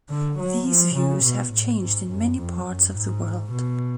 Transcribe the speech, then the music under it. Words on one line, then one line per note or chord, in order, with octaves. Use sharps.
These views have changed in many parts of the world.
D3
F#3
F3
C#3
B2
A2
G#2
F#2
F2
F#2
G#2
B2